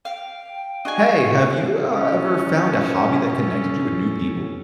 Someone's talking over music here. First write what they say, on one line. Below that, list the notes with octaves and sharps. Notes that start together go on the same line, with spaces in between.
Hey, have you, uh, ever found a hobby that connected you with new people?
F5 G5
D4 F#4 G#4 D#5 G#5 C#6
C#4 A4